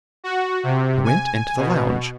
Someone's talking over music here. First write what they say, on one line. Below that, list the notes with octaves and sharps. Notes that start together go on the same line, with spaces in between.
I went into the lounge.
F#4
C3
G#5
B2